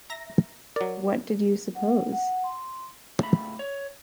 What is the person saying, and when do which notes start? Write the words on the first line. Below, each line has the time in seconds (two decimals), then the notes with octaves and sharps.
What did you suppose?
0.10 E5 A#5 A#6
0.76 F#3 A#4 D5
1.75 F#5
2.12 F#5
2.44 C6
3.19 C#2 A2 B5
3.59 C#5